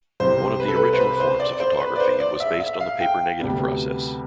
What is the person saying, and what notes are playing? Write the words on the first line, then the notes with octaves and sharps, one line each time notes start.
One of the original forms of photography was based on the paper negative process.
C2 C3 G3 C5
B4
A4
B4
C5
B4
C5
D5
C5
B4
D5
C5
D5
E5
E5
F5
G5
D2 C3 G3 B3